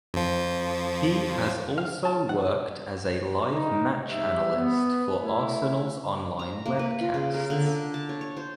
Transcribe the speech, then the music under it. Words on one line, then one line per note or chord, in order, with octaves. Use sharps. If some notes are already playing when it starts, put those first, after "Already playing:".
He has also worked as a live match analyst for Arsenal's online webcasts.
F2 F3
F5
A5
F#5
D#4
G#2 G3 E5
B3
A3 E4
A#5
A#3
B4
F4
C#3
A#4
D3
D3
A5
C#5
C#5
C5